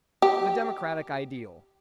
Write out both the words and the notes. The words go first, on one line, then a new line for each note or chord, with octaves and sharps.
The Democratic Ideal.
G4